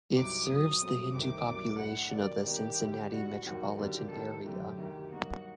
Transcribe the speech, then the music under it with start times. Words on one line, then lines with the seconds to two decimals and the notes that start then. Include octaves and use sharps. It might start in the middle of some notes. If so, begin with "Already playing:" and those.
It serves the Hindu Population of the Cincinnati Metropolitan Area.
0.14 C2 C3 F#3 C4 D#4 D6
0.48 A#2 F#3 C4 D#6
0.81 G2 F#3 A3 C4
1.13 C2 C3 D#3 A3 C4 D6
1.46 C2 C3 F#3 A#3 D4
1.80 A2 A3 D4 F#5
2.12 C3 D#3 F#3 A#3 D5
2.46 G2 D#3 G3 A#3 D4 G4
2.80 D2 D3 G3
3.12 A2 G3 D4 F#4
3.45 D#2 D#3 F#3 C4 F#4
3.78 D#2 D3 F#3 A#3 D4 G4
4.11 C3 D#3 G3 C4 A4
4.44 F#2 D3 A3 G4
4.78 D2 C3 D#3
5.11 G2 F#3 A#3 D#4 F#4